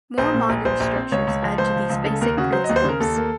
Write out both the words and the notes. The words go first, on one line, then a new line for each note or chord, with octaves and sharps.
More modern structures add to these basic principles.
A#1 C5
A#2
A#1
A#1 C5
A#1
C4
C#2 C#5
C#2
F3
C#2 C5
F3
C#2
C#3 A4
D#2 A#4
C#3 F#4
F#3 C5
D#5
D#2
C5
C#3 A#4
D#2 A4
A#3